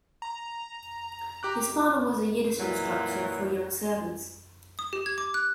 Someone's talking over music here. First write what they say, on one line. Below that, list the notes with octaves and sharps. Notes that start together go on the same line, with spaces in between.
His father was a Yiddish instructor for young servants.
A#5
G4 D6 F#6
A#2 E3 F#3
D#6
G4
G#6
D6
F#6